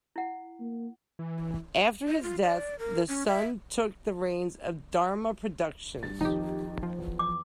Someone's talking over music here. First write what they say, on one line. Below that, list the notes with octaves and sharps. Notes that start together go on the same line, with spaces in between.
After his death, his son took the reins of Dharma Productions.
E4 F#5
A#3
E3
D#5
F4
D5
A#4
C#4
E5
G2 A6
F2 D#3 D#4 G4
F3
E2
D6